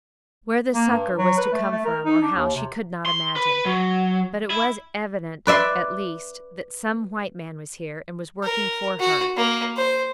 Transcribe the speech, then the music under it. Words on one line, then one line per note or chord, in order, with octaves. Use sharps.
Where the succour was to come from, or how, she could not imagine; but it was evident, at least, that some white man was here, and was working for her.
A#3
G2
F#3
B4
A3
A3
A#4
D#4
D4
D#2
C3
C6
B4
F#3
E4
B4 D5 E5 B5 C6
A#4
F#4
A#3
C5